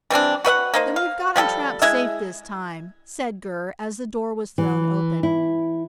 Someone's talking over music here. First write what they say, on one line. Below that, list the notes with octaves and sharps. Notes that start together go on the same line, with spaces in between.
"Then we've got 'em trapped safe this time," said Gurr, as the door was thrown open.
E3 G3 C4 D4
F#4 B4 E5 F#5
A#3 D#4 C5
F5
F3 G3 G#4 A4
G#3 E4 E5
E3
E4